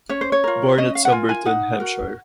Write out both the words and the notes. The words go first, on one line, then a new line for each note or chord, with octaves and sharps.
Born at Soberton, Hampshire.
C#4 C#5
C5
C#5
F4 A#4
C#4 D#5
F5
F#5
F4 A#4 G#5
G#5
D#4 F#5
F#4 A#4